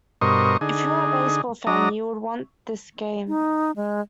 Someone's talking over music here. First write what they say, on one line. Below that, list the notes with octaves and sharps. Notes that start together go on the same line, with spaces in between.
If you are a baseball fan, you will want this game.
G2 B2 A#4 C5 D#5 C#6
D3 D#4 G#4
F#3 D4 D#5 A#5
D#4
G#3